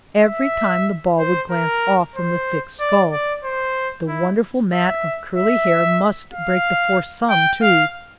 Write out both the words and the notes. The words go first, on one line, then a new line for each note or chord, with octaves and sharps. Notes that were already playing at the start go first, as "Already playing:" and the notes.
Every time the ball would glance off from the thick skull. The wonderful mat of curly hair must break the force some, too.
E5
C5
A#4
C5
D5
D5
C5
E4
E5
E5
F5
G5
F5